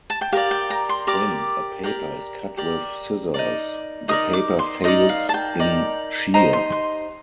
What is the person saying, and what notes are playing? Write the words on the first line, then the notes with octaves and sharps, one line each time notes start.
When a paper is cut with scissors, the paper fails in shear.
A5
G5
G4 A#4 D5 F5
G5
A#5
C6
G4 A#4 D5 D6
G4 A#4 D5
G4 A#4 D5
D#4 A#4 D5
D#4 A#4 D5 D#6
D6
C6
D#4 A#4 D5 D#5
F5
A5
G5
D#4 A#4 D5
D#4 G4 C5 D#5 A#5
C6
C6